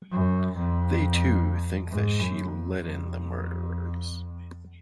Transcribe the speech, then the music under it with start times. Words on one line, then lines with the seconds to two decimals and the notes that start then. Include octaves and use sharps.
They, too, think that she let in the murderers.
0.11 F#2
0.56 F2
1.90 G#2
2.20 F#2
2.49 F2
2.80 F2